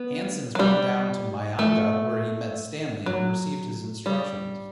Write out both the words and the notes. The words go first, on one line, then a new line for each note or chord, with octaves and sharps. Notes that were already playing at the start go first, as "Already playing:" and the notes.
Hanssens went down to Manyanga where he met Stanley and received his instructions.
Already playing: B3
F#3
G3
A3
F#3
G3